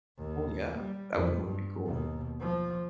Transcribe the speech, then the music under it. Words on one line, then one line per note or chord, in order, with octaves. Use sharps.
Oh, yeah. That one would be cool.
D#2
G3
F2
G2
D#2 B2
F3